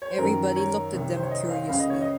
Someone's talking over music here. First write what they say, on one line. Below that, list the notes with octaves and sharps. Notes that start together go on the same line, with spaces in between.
Everybody looked at them curiously.
C#5
C5
F#2 D#3 A#4
C#5
C2 C3 D#3
C5
C#5
D#5
F5
C#2 C#3 F5
D#5
C#5
D#5